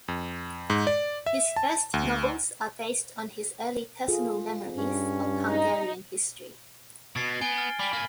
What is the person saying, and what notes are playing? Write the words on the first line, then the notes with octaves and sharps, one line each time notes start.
His first novels are based on his early personal memories of Hungarian history.
F2
G#2
D5
E5
A5
D2
F4 G#4 A4
G2 C#4
D#4
B2 G#6 A6 C7
B3 G#5 D7 G7
F6 A6
G3 B5 B6 F#7
A#3 G#5 F6